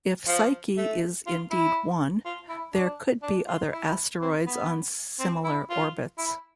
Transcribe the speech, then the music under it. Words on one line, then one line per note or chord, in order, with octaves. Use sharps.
If Psyche is indeed one, there could be other asteroids on similar orbits.
F3
A3
F4
E4
F4
E4
D4
D4
F4
E4
C4
B3
C4
E4
F4
E4